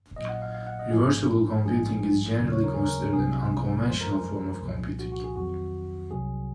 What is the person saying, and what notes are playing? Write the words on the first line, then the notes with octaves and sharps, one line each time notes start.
Reversible computing is generally considered an unconventional form of computing.
A#1 A#2 F#3 D#5
F#5
F5
F5
F#5
D#5
G#1 G#2 F3 G#3 G#4
A#1 G#2 F3 G#3 G#4
D#2 C#3 F#3
C#5
A#4
G#4
A#4
C2 C3 F#3 G#4
F#2 F3 G#3 C5
A#4
G#4
C2 A#2 F3
F#4
F#4
G#4
F2 D#3 F#3 F#4
C2 C3 F#3 G#4